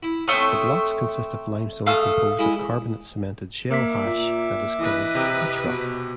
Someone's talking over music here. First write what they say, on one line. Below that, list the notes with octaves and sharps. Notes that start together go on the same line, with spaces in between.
The blocks consist of limestone composed of carbonate-cemented shell hash that is called "beachrock".
E4
A3 C4 C5 C#5 D#6
A3 A4 F5 D#6 E6
G#3 E4
A#3 E5 D6 B6
A#2
E3 B4 D#5
C3 G4
B2